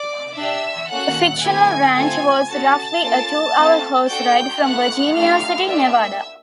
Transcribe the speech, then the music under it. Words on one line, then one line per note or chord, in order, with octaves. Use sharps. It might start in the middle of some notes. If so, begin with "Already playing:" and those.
The fictional ranch was roughly a two-hour horse ride from Virginia City, Nevada.
Already playing: D5 D6
D4 G4 E5 E6
A#3 C#4 F#4 A4 F#5 F#6
A3 C4 E4 G4 G#5 G#6
A3 C4 F4 A4 G#5 G#6
C#4 F#4 A4 A5 A6
A#3 C#4 F4 A4
A3 C4 F4 A4
D4 F#4 A4 G5 G6
B3 E4 A4 F#5 F#6
A3 D4 G4 F5 F6
A#3 D4 G4 E5 E6